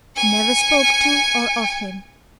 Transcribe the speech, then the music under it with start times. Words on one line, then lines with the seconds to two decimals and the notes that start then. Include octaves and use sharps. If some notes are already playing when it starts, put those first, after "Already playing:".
He never spoke to or of him.
0.17 G#5 C#7